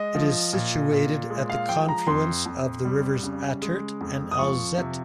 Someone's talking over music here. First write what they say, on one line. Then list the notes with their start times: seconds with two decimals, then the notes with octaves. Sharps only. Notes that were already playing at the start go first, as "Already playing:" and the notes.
It is situated at the confluence of the rivers Attert and Alzette.
Already playing: G#3 D#5
0.15 F3
0.53 A#2
0.92 A#2
1.30 G#3
1.50 F5
1.69 F3 G5
1.89 A#5
2.07 F2 C6
2.46 F2
2.85 G3
3.23 C#3
3.62 G#3
4.01 F2
4.31 D#6
4.39 F3 C#6
4.78 C3